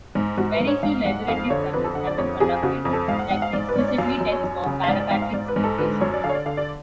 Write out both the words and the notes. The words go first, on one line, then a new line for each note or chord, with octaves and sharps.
Very few laboratory studies have been conducted that explicitly test for parapatric speciation.
G#2
G#2 F#4
B4
G#2
C#5
G#2 F5
G#2 F#5
F2 F5
D3 C#5
F2 B4
A4
D3 F#5
D5
F2 C#5
F2 G#4
C#3 F#4
F2
A4
G#2 F5
F#5
G#2 F#5
F5
G#2 D5
B4
G#2 C#5
D5
F#2 F5
F#2
C#5
F#2
C#3
F5
G#2 D5
D5
G#2 F5
F5
G#2 D5
B4
G#2
A4
D3 B4
F#2 C#5
D5
D3 F5
C#5
D5
D3 F5
D5